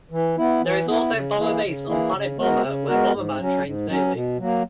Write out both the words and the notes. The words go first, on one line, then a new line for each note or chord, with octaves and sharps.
There is also Bomber Base on Planet Bomber, where Bomberman trains daily.
E3
B3 E4
E3
B3 E4
C#3
E3 A#3 E4 G#4
C#3
E3 A#3 E4 G#4
C#3
G#3 B3 F#4 A#4
C#3
G#3 B3 F#4 A#4
G#2
F#3 C#4
G#2
F#3 C#4
B2
F#3 A#3